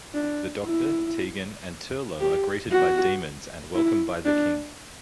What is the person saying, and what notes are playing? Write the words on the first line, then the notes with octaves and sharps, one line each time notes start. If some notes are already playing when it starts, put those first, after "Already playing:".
The Doctor, Tegan, and Turlough are greeted as demons and welcomed by the King.
D4
E4
G4
F#4
E4
D4